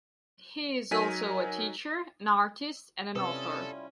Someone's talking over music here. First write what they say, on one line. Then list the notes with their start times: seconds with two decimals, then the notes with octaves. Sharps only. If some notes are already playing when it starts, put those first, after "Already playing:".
He is also a teacher, an artist and an author.
0.91 F#3 D#4 A#4 G#5 B6 D#7
3.16 C3 G3 C#4 E4 F4 A4 B4 D#6